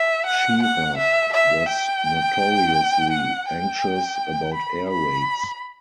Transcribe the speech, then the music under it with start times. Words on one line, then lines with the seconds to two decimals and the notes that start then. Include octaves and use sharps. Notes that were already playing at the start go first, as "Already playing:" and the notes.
Schirach was notoriously anxious about air raids.
Already playing: E5
0.26 F#5
0.63 F#5
0.98 E5
1.34 E5
1.69 G5
3.12 F#5
3.48 G5
4.54 B5
4.90 B5